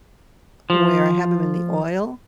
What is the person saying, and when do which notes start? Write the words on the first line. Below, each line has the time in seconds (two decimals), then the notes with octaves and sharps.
where I have them in the oil,
0.70 F3